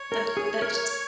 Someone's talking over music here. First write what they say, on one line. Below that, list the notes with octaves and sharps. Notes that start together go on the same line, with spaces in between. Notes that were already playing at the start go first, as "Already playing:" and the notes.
That that's just
Already playing: C#5
A#4
G#4
A#4